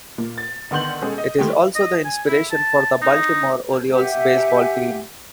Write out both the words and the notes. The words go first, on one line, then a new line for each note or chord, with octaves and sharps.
It is also the inspiration for the Baltimore Orioles baseball team.
A#2
A6
D3 D#3 B3 C6 G6 F#7
B2 G#3 C#4 G#4 A4
D#5
D#3 G#3 A3 G4
D#5
G#5
E4
A5
D#4
G4 E5 F#5 G#5